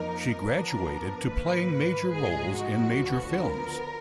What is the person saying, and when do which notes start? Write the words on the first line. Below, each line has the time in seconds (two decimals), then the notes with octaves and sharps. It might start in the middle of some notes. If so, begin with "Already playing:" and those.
She graduated to playing major roles in major films.
Already playing: F2 F3 A#3 D#4 A#4
0.44 G#2 F3 B3 D4 A#4
1.29 G#2 D#3 A#3 B4
2.14 G#1 G#2 F3 G#3 D#4 G#4
2.57 F#4
2.99 D2 D3 F3 B3
3.42 A#4